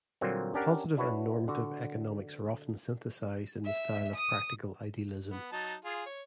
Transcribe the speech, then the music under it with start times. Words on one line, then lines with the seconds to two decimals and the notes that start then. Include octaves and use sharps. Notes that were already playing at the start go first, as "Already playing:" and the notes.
Positive and normative economics are often synthesized in the style of practical idealism.
0.21 A#2 D3 F#3 G3 A#3 C4
0.54 C#4 D4 G4 A#4 F#5
0.97 D4 E4 F#4 B4 C#5
1.48 D3 F#4
3.66 E5
4.16 D#6
5.31 B3
5.52 F#3 D#4 A5
5.85 F4 G#4
6.06 C#5